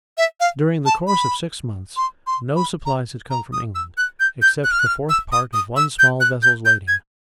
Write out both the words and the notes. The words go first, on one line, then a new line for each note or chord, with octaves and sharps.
During the course of six months, no supplies had come from England, except the fourth part of one small vessel's lading.
E5
F5
A5
B5
C6
C6
B5
A#5
A#5
D#6
E6
F#6
G6
G6
F#6
F6
F#6
F6
E6
D#6
D#6
E6
G6
F#6
G6
G6
G#6